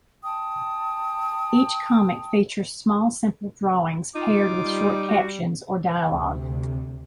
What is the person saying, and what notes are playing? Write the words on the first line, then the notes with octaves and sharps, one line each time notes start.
Each comic features small, simple drawings, paired with short captions or dialogue.
G5 A5 D#6
D#4 F4 D6
G3
F#4
D2 C3